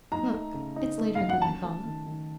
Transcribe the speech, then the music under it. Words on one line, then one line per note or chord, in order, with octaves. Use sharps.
'Look! it's later than I thought.
D#4 A#5
A3
C#3
D#4
A3
F#3 F5
F#5
C#4 A5
A3
D#3
D#3